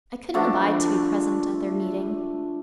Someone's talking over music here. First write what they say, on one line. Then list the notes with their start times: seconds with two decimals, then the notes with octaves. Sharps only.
I couldn't abide to be present at their meeting.
0.34 D3 F3 A3 D4